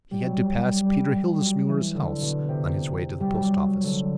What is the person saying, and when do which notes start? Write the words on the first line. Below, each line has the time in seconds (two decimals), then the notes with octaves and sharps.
He had to pass Peter Hildesmuller's house on his way to the post-office.
0.11 G3
0.22 F#3
0.41 G3
0.86 G3
1.13 G3
1.40 F#3
1.68 E3
1.95 D3
2.22 B2
2.49 C3
3.20 G3
3.30 F#3
3.57 F#3
3.84 D3